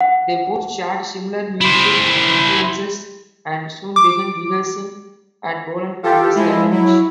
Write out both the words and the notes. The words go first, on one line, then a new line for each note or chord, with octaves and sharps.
They both shared similar music influences and soon began rehearsing at Bolan family's garage.
F#5
E4 C5
D6
F4 G4 A4
F3 G#3 E4
F#3 E4